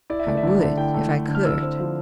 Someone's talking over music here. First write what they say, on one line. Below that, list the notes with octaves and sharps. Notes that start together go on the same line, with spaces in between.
"I would if I could!"
E4 D5
E5
A3 D5
E5
D3 D5
D3
E4 G5
A3
D3
D3
F6
E4 E6
C4
F3